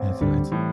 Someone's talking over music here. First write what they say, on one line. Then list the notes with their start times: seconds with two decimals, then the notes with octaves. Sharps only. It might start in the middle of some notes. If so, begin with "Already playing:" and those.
Yeah, so, li it's
Already playing: A1 C4
0.21 D2 D3 G3
0.51 A2 E3